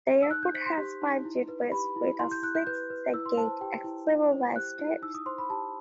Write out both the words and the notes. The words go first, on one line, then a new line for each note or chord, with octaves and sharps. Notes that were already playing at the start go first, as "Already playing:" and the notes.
The airport has five jetways with a sixth gate accessible via stairs.
E6
D#4 F#6
G6
C5 B6
C6
G4
D#4
E4
B4
G4 B5
E4
E4 C6
G6
E4 F#6
G6
B4 G6
B4
E4 E6
C6
C5 A5
G4 G5
E4
E4
C5
G4 F#6
E4
D#4 E6
D#6
C5 C6
B5
G4 A5